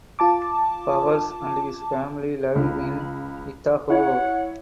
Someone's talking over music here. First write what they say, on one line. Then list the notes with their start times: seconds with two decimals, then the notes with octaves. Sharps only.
Bowers and his family live in Idaho.
0.19 F4 A5 D6
2.55 C#2
3.90 E4 C#5 F#5